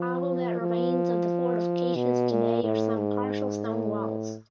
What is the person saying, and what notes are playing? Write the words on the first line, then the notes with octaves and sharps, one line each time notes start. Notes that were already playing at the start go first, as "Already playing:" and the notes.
All that remains of the fortifications today are some partial stone walls.
Already playing: F3
F3
B2
A#2
A2
G#2
A2